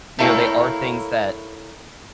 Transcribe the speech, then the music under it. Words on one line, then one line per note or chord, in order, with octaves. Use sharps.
you know, they are things that
A3 A#3 E4 C#5 G5